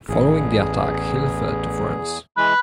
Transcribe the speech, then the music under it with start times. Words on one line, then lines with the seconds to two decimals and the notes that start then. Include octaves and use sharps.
Following the attack Hill fled to France.
0.09 A1 E2 G#4
2.37 E3 G#3 B5 F#6